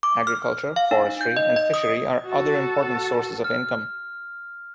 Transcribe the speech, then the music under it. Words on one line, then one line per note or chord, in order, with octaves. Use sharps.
Agriculture, forestry and fishery are other important sources of income.
D6
F6
F5
D#4
G6
D#5
D#5
D#6
F#4 A4
F6